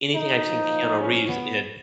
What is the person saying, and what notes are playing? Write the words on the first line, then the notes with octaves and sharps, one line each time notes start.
anything I've seen Keanu Reeves in
D#4
A#2 F3
C#4
B3